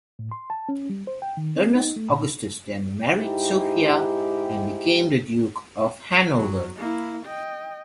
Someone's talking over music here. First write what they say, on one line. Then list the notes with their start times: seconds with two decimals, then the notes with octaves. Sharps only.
Ernest Augustus then married Sophia and became the Duke of Hanover.
0.19 A2
0.31 C6
0.50 A5
0.69 C#4
0.90 G3
1.07 C5
1.22 G5
1.37 D#3
1.56 C4
1.75 D#4
1.96 A3
2.10 A#2
3.15 G#2 D#4 E4 G4
6.36 F#3
6.77 A#3 E4
7.25 D#5 G5